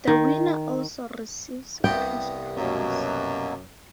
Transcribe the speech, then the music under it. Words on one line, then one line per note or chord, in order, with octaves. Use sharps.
The winner also receives a cash prize.
D#3
C2 G2 B3 G5
F#2 B2 F#3 A#3